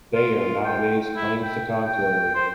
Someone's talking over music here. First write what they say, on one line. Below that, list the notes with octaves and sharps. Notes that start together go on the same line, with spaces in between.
Bayer nowadays claims the contrary.
F4
G5
E4
G5
G5
C5